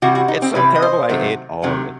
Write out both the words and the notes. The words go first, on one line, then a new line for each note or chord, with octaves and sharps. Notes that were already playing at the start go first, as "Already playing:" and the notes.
It's so terrible, I ate all of it.
C3 E3 G3 F#4
F#4
D#4
C4
C3 E3 G3 B4
D#5
C5
C3 D#3 F#3 A3
C3 D#3 F#3 A3